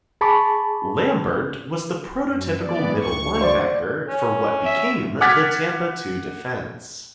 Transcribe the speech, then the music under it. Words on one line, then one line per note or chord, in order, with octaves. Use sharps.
Lambert was the prototypical middle linebacker for what became the Tampa Two defense.
G#4 A5 B5 C#6 D6
F#2
E3 B3 D5
D2 C#6
C5 D5
C#4
E5
F#5 D6 F6 G#6 A6 B6